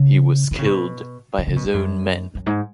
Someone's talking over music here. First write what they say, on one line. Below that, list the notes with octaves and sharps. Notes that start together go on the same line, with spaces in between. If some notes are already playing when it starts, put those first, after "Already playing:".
He was killed by his own men.
Already playing: C#3
D#3
C#3
B2
D#3
C#3
B2
G#2
F#2
F#2
G#2